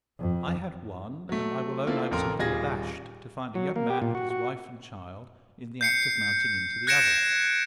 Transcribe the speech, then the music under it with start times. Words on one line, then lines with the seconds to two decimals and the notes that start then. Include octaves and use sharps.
I had one; and I will own I was a little abashed to find a young man and his wife and child in the act of mounting into the other.
0.20 F2
1.29 F#3 A3
1.87 A#3 C4 E4 F4 A4
2.11 A1 F2 A4 A#4 A#5 C6
2.39 D#1 G3 F4 G#4 G#6 A#6
3.55 F#3
3.76 A#3
3.90 G4
4.02 A#2
4.15 F#4
4.30 F#4
5.81 G6 C7 C#7
6.87 F#6 G#6 A#6 C#7 D7 E7